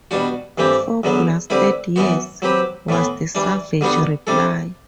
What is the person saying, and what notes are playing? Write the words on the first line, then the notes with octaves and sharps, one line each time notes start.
"Four blasted years," was the savage reply.
B2 G3 D4 F#4
G2 E3 A3 C4 G4
E2 D3 F#3 B3
D3 G3 C4 E4 B4
F#2 E3 B3 F#4
F#3 C4 G4 B4
A2 E3 B3
E3 G3 D4
D3 G3 B3 D4 F#4
C3 G3 D4 A4